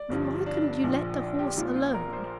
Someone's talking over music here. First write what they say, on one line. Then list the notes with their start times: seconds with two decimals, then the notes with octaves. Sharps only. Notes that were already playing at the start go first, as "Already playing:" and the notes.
"Then why couldn't you let the horse alone?"
Already playing: D5
0.09 G1 G2 F3
0.46 D4
0.84 A#1 A#2 F3
1.20 D4
1.39 G4
1.58 A#1 A#2 F3 F4
1.76 F4
1.94 A#4
2.13 C5